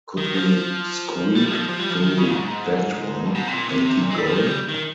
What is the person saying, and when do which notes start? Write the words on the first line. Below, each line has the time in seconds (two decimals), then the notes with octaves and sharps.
Could we squeak through "that" one, and keep going?
0.17 D#3
0.35 F3
1.35 G3
1.46 F3
1.51 G3
1.57 F3
1.68 F3
1.79 G3
1.90 F3
2.02 D#3
2.18 C#3
2.28 A#2
2.34 G#2
3.25 G2
3.35 G#2
3.47 C3
3.52 A#2
3.69 C3
3.85 C3
4.02 A#2
4.11 G#3
4.18 G3
4.27 F3
4.35 D#3
4.46 G3
4.69 D#3